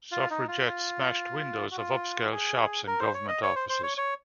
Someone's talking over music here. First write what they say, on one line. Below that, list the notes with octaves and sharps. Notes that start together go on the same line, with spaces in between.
Suffragettes smashed windows of upscale shops and government offices.
F4
D#4
F4
F4
F#4
F4
G#4
A#4
C5
C#5
D#5
C#5
C5
C5
C#5
C#5